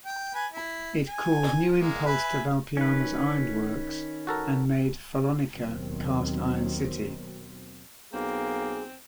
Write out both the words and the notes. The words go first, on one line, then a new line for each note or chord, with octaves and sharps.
It called new impulse to Valpiana's ironworks and made Follonica cast iron city.
G5
B4 G#5
E4
G#5
G#3 A#3
B4 E5 G#5
D#3 C#4 B4
F#4 A4 A#4
D#2 B2 D#3 F#3 C4
B1 A#3 C4 G#4